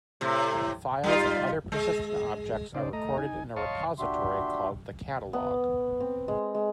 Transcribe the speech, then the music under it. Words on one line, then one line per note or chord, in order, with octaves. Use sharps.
Files and other persistent objects are recorded in a repository called the Catalogue.
A2 C3
G3 D#4 F4
G#3
C#3 D#4 C5 D5
A3 D#5 A#5
D#4 G#5
C#5 D#5 F5 A5 C6 C#6
A#2 D4 F#4 G4 E5 C6
B3
C4
G#3
G#3